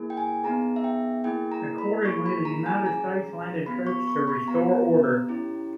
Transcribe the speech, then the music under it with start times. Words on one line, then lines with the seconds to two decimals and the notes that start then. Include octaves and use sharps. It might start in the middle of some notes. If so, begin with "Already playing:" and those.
Accordingly, the United States landed troops to restore order.
Already playing: A#3 E4 G#4
0.10 G5
0.17 G#5
0.44 B3 D#4 G#4 A#5
0.76 E5
0.84 G5
1.24 A#3 E4 G#4 G5
1.52 A#5
1.78 B5
2.05 A#3 E4 G#4 C#6
2.26 B5
2.45 A#5
2.66 G#5
2.86 C#4 G#4 A#5
3.66 B3 G4 B5
3.87 C#6
4.07 C#6
4.27 B5
4.48 B3 G4 A#5
5.28 C#4 E4 G4